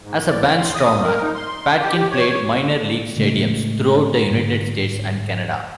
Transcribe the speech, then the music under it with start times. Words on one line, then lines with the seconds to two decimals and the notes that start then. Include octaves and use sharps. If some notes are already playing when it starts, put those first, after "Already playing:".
As a barnstormer, Patkin played minor league stadiums throughout the United States and Canada.
0.02 G#2
0.28 D5
0.57 C6
0.75 D#6
1.03 A#4
1.22 D#4
1.35 C6
1.81 G4
2.11 C#5
2.46 D#2
3.16 A2 C#3 G#3 A3
4.31 G#2 D3